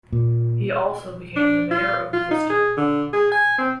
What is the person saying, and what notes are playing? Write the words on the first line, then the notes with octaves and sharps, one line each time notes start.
He also became the mayor of Lewiston.
A#2
D4
F4
F4
D#4
G#4
D3
G#4
G#5
C4